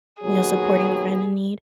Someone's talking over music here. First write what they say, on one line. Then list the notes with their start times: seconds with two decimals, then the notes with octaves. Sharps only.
you know, supporting a friend in need?
0.22 D#2 B2 F#3 G#4